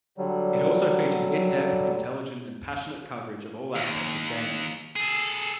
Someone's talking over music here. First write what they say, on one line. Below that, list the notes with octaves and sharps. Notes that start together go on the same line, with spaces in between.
It also featured in-depth, intelligent and passionate coverage of all aspects of gaming.
D3 F#3 G3
D#2
G#4 A4